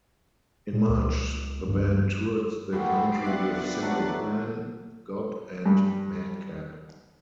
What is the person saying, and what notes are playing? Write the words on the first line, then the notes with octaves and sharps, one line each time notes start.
In March the band toured the country with Simple Plan, Gob and Madcap.
A#2
C#2
G2
F#2 F3 G3 A3 F#4
B4 C6 D6
B3 D4 F4 G4 E5 F#5
F#3 A3
G2